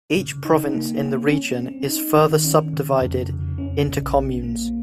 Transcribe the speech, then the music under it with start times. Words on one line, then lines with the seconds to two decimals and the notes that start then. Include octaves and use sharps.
Each province in the region is further subdivided into communes.
0.17 C#3
0.45 D#4
0.74 A#3
1.02 C#4
1.30 C#4
1.59 C4
1.88 D#4
2.16 D#3
2.45 C#4
2.73 C#3
3.01 F2
3.30 C#3
3.58 C#4
3.87 A#1
4.16 A#1
4.44 A#3